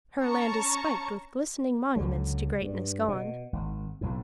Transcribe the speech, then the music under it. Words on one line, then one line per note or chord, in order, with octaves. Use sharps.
Her land is spiked with glistening monuments to greatness gone.
C#4 A5 A#5 C#6
C#2 D3 F#3
G2
B2
G#1
B1 A2